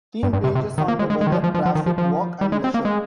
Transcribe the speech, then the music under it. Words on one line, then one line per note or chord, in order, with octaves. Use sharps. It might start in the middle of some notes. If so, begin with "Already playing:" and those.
Theme pages on the weather, traffic, work and leisure.
G2
G2
C3
C3
D#3
A#3
G#3
G#3
G#3
D#3
F3
F3
F3
F3
D#3
F3
F3
G3
G#3
C4
A#3
G#3